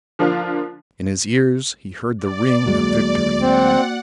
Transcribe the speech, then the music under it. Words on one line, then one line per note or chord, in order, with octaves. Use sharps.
In his ears, he heard the ring of victory.
D3 F3 A#3 D4 F4
D5
D2 F#3 G#3 A#3 F#4
C4 F#5